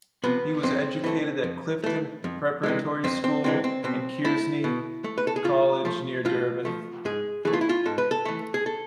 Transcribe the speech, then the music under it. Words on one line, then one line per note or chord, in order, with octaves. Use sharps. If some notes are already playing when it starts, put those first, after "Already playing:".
He was educated at Clifton Preparatory School and Kearsney College near Durban.
C3 F3 B3
F2 C4
E3 A3
F2
E3 A3
F2
C3 E3 G#3
F2 C4
C4
C3 E3 G#3 C4
C4
B2 C4
A3 E4
B2
A3
B4
A4
G#4
A2 F4
F3 A3
A2 F4
F3 A3
G#2 G#4
E3 A3 G#4
F4
E4
F4
G#2 A4
B4
A4
E3 A3
G#4
A4